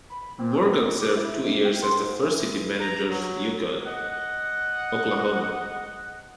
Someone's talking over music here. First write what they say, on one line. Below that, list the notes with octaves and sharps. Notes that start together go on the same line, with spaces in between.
Morgan served two years as the first city manager of Yukon, Oklahoma.
B5
C4
B2
D#3
D6
E4
G#2
G5
C6
G#2
E3
A#5
F#3
D#5 F#5